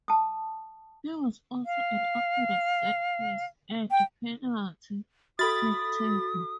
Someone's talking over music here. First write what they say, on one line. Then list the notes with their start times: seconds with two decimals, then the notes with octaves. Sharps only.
He was also an accurate set piece and penalty-kick taker.
0.08 A5 D#6
1.66 F5
3.91 G5
5.39 F#4 A4 B5 D#6 A6